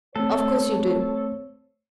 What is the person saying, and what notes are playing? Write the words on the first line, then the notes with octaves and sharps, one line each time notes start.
Of course you do.
A3 C4 A4 C5 C#5